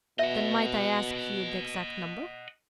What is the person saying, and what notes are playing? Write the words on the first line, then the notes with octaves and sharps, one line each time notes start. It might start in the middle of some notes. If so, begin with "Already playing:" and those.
"Then might I ask you the exact number?"
B2 D#5 E5 F#5